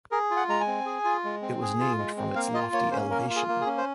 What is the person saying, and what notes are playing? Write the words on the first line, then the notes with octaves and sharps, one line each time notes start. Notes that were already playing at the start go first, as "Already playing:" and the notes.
It was named from its lofty elevation.
G#4 A#4
F4
F#5
G#3 A#5
G#5
C4
G#4
F4
G#3
C4
G#4
F4
G#3
C4
A#3 F5
F4 D#5
A#3 C#5
C#4 C5
A#3 A#4
F4
G#4
A#3
G#4
C#4
C5